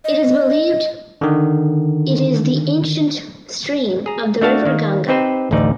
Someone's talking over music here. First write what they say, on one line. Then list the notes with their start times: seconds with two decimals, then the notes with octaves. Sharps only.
It is believed it is the ancient stream of the river Ganga.
0.04 D#5
1.21 D3 D#3
4.06 G#4 A#5
4.41 A3 D4 F#4 F5 A5
4.66 D#3 A#3
5.09 C4 D#4 G4 B4 C5
5.51 A1 D2 D3 D#4 D5